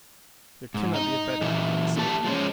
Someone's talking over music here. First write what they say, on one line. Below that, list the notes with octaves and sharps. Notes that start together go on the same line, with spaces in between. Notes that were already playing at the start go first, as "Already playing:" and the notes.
There cannot be a better, he said.
G#2
D#4 D#5
A#2 E3 E4 E5
D3 A3 A#3 G4 A5
F3 G#3 C#4